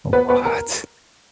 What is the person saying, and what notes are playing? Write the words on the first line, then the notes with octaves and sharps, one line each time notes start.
Oh, what?
B3 B4
B3 B4
A#4